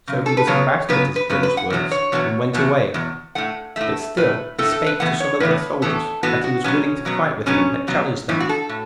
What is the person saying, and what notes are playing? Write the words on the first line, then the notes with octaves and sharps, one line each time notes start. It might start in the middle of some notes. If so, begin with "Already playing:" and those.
So he was abashed at his brother's words, and went away, but still he spake to some of the soldiers that he was willing to fight with him that challenged them.
F#2 C#3
A4
B4
F#2 C#3 F#3 B3 C#5
F#2 C#3 F#3 B3 B4
B4
F#2 C#3 F#3 B3 B4
B4
F#5
E2 B2 F#3 B3
C#5
E2 B2 F#3 B3
E2 B2 F#3 B3
E2 B2
A2 A3 F#5
A2 A3 E5
A2 A3 B4
A2 A3 A4
A4
B4
A2 E3 B3 F#5
C#5
A2 E3 B3 B4
A2 E3 B3 A4
A2 E3 B3 F#4
F#4
B2 F#3 B3 C#4
B2 F#3 B3
B2 F#3 B3 C#4
B2 F#3 B3
A2 E3 B3 E4
F#4
A4
A2